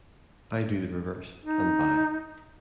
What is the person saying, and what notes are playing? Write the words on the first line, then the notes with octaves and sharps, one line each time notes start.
I do the reverse-and buy.
D#4